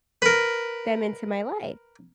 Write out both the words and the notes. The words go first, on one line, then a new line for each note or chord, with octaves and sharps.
them into my life.
A#4 B4